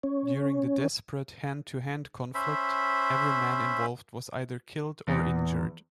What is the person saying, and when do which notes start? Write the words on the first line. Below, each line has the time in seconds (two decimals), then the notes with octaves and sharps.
During the desperate hand-to-hand conflict, every man involved was either killed or injured.
0.03 C#4
2.35 C#4 C5 E5 B5
5.08 E2